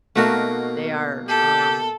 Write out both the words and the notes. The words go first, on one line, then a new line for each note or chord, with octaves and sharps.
They are, um,
B2 A3 A#3 D#4 F#4 A#4
G4 A4